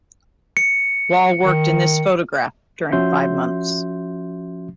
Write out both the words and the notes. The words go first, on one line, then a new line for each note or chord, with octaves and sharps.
Wall worked in this photograph during five months.
C#7
D#3
F3 C#4 F#4 E5 C6 G6